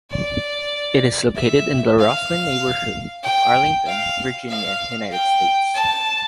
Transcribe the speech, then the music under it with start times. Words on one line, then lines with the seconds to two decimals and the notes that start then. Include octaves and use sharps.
It is located in the Rosslyn neighborhood of Arlington, Virginia, United States.
0.10 D5
1.35 E5
1.99 F5
3.23 G5
3.86 F5
4.49 F5
5.12 G5
5.75 A5